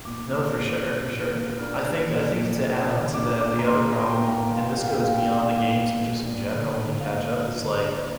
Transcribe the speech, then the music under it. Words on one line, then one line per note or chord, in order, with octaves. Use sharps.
No, for sure, for sure. I think I think to add on to that, the other problem, and this goes beyond the games, but just in general, when you catch up is like,
A#2 D6
D4
A#2
D4
A#2
A#3
D4 F6
D4
A#2
A#2
D4
A#2
D4 D6
A#2 D6
A#5
A#2 C6
A#3 A#5
G5
A#3
A#2
F5
G5
A#3
F5
G5
A#2
F5
A#2 G5
F5
A#3 G5
F5
A#2
A#2
D4
D3
D3
A#3 F5
A#3
D3
D4